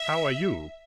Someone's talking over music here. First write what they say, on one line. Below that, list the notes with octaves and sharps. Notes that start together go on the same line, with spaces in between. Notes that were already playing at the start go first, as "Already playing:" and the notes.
How are you!
Already playing: E5